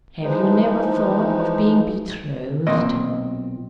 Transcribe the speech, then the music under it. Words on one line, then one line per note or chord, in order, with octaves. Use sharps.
"Have you never thought of being betrothed?"
E3 F3 G#3 D#4
B1 A#2 C4 D#5